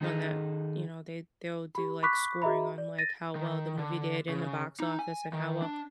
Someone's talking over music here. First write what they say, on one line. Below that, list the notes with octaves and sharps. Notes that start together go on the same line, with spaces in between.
one that you know, they they'll do, like, scoring on, like, how well the movie did in the box office, and how well
D#3 D#4 G#4 A4 D#5
G4 B5
B5 C#6 D6 F#6 B6
F#4 G#4 D#5 E5 A#5 B5
D5
A6 A#6 D#7
D#3
D3
C#3
D#4
G#5
D#3
D4